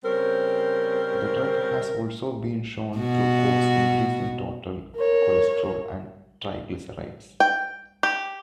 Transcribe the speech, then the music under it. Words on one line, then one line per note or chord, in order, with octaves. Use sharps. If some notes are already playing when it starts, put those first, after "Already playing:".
The drug has also been shown to cause increases in total cholesterol and triglycerides.
C#3 G3 C4 C#4 A#4 C5
B2 F#4
A#4 C#5
G5
G4